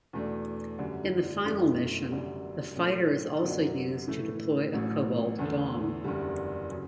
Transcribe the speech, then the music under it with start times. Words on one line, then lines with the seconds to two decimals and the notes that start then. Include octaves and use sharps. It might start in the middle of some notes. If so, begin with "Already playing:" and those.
In the final mission, the fighter is also used to deploy a cobalt bomb.
0.13 E2 B2 A3 D4
0.79 F#2 D3 G3
1.45 F#1 F#2 E3 A3 D4
2.10 F#1 F#2 D3 G3
2.76 B1 A2 F#3 A3 D4
3.42 F#2 D3 F#3 B3 D4
4.07 A2 E3 A3
4.73 A1 A2 F#3
5.39 E2 D3 A3 D4
6.04 F#1 E2 D3 G3
6.71 C#3 F#3